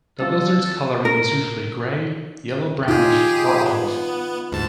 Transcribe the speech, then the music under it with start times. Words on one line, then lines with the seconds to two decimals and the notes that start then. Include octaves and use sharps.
The lizard's coloring is usually gray, yellow-brownish, or olive.
0.19 G3 C4 F4 A4
1.05 A#4
2.88 D#4 F4 G4 G#4
3.66 B3
4.52 D2 G#2 A5